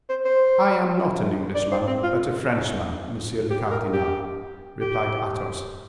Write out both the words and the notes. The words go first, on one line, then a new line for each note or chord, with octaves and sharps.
"I am not an Englishman, but a Frenchman, monsieur le cardinal," replied Athos.
C5
C5
D5
C5
C4
F4
G4
A#4
G4
G4